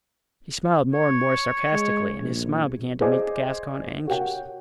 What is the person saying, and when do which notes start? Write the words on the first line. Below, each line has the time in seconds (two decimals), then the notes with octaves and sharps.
He smiled more and more sarcastically and his smile began to make the Gascon anxious.
0.93 C#5
1.73 G#3
2.21 A#1
3.01 G#4 C5 D5 D#5 G#5 D6
4.07 F#4 G4 A#4 C#5 F#5 G5